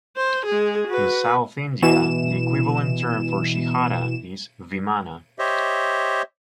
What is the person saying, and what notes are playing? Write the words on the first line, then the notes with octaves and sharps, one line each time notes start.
In South India, the equivalent term for "shikhara" is "vimana".
C5
G#3 G#4
F#4 B4
B2 E3 E7
G4 C5 C#5 D#5 E5